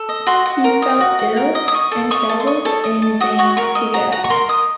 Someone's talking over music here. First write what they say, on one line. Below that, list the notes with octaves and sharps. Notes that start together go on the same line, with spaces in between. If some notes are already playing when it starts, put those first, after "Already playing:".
He felt ill, and struggled in vain to get up.
Already playing: A4
D#5
F#4 C6
F#4
A#4
D#5
F#4
F#4
A#4
D#5
D#6
D#5 C#6
A4
D#5 C#6
A4
C6
D#5 C#6
A4
D#5
A4
F#4 D#6
F#4 C#6
A#4 C#6
D#5
F#4 A#5
F#4 A#5
C#6
A#4 C6
D#5 D#6